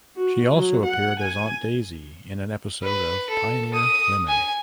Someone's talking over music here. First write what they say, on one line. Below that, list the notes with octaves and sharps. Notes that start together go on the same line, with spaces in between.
She also appeared as Aunt Daisy in an episode of "Pioneer Women".
F#4
F#3
F#5
G#5
B4
A4
D#6
G#5